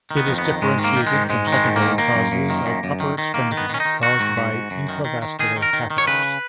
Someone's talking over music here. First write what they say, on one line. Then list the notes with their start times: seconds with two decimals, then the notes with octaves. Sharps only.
It is differentiated from secondary causes of upper extremity caused by intravascular catheters.
0.11 D#3
0.17 B3
0.27 F2
0.38 B3
0.45 D#3
0.62 G#2 G#3
0.79 D#3
0.84 A#3
0.96 D#3
1.07 G#3
1.13 G#2
1.30 G#2 G#3
1.47 D#3
1.52 G#3
1.64 G#2
1.76 A#3
1.82 D#3
1.98 D#3 A#3
2.15 F#2
2.32 F#2
2.50 D#3
2.66 F#2
2.84 F#2
3.00 D#3
3.18 D#3
3.34 D#3 A#3
3.52 D#3
3.57 B3
3.69 D#3 C#4
3.80 D#4
3.85 D#3
4.03 D#3 F#4
4.20 G#2
4.37 G#2
4.54 G#2
4.71 F#2
4.89 D#3
5.05 D#3
5.22 D#3
5.39 D#3 G#4
5.56 D#3
5.62 A#4
5.73 D#3
5.91 D#3
5.98 C#5
6.07 C#3 B4